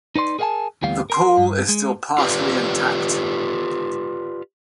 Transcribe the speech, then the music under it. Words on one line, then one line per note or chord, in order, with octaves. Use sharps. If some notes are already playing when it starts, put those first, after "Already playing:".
The pool is still partially intact.
D#4 B4 D5 C6
G#4 A#4 D#5 F5 G#5 A5
D2 E3 G3 B3 F5
A#4 A#5 C6
G2
G#3
F4 G4 B4 D5